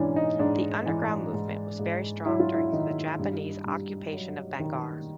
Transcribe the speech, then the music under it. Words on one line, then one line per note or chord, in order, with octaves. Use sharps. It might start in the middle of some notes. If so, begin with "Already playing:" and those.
The Underground Movement was very strong during the Japanese occupation of Bangar.
Already playing: G#2 E3 C#4 D4
D#4
G#2 D4
E3
G#2
G#2
F#3 E4
F4
E4
D#3 D#4
G2
G2
F#3
D#3